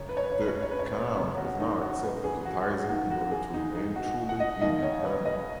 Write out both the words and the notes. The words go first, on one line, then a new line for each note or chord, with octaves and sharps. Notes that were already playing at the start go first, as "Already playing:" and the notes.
The "Canard" does not accept advertising in order to remain truly independent.
Already playing: F#2 C#3 C#5
B4
C#5
B4
C#5
B4
C#5
B4
C#5
B4
C#5
B4
F#2 C#3 C#5
F#4
D#4
F#4
B4
G#4
F#4
F#4
D#2 D#3 F#4
F#4
G#4
D#4
D#4
F#4
F#5
D#5
D#2 D#3 D#5
C#5
B4
D#5